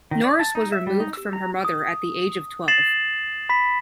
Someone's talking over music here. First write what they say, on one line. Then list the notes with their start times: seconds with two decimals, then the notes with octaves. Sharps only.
Norris was removed from her mother at the age of twelve.
0.11 D#3
0.24 D5
0.39 A5
0.55 D#4
0.72 E5
0.87 G3
1.00 D#4
1.13 E6
1.33 A#5
1.65 D#6
2.68 A6 C7 E7 F#7
3.49 B5 B6